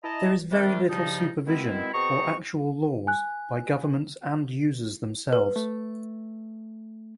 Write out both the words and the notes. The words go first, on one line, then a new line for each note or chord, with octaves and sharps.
There is very little supervision or actual laws by governments and users themselves.
E4 D#5 A5 A#5
C3 D#3 G3 D4
G2 C#3 F3 D#4
B2 D#3 G#3 C4 E4
B2 C4 G#4 A#5 C#6
G#5 F#6
B4
A3